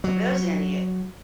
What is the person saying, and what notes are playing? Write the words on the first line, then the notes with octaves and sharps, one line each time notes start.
there's any o
F#3